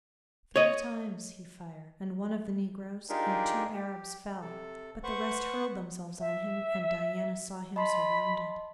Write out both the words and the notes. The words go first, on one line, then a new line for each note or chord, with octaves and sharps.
Three times he fired and one of the negroes and two Arabs fell, but the rest hurled themselves on him, and Diana saw him surrounded.
C#5 D#5
D4 D#4 F4 G4 G#4 A#4
G4
C3 A4
B4 C5 F#5 C#6
E5
D#5 A5 B5 C6